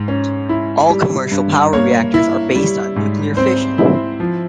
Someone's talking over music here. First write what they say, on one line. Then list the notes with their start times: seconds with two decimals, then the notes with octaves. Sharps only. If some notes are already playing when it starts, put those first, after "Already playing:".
All commercial power reactors are based on nuclear fission.
Already playing: G#2
0.08 C#4
0.49 E4
0.90 G3
1.32 G2
1.73 A#3 C#5
2.14 E4
2.56 G3
2.96 G#2
3.37 C4 C5
3.78 E4
4.20 F3